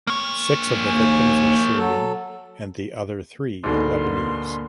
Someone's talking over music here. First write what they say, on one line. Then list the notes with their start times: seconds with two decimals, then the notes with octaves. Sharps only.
Six of the victims were Syrian and the other three Lebanese.
0.07 A#3 C#5
0.86 D#2 G#5
1.76 F#3 A4
3.64 D2 G#2 B2 D3 A#3 A4 C6